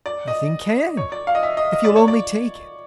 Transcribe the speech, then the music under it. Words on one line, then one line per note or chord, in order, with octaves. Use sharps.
"Nothing CAN--if you'll only take it..."
D5
D#5
C#5
D5
F5
D#5
E5
D#5
D#5
D5
C#5
D5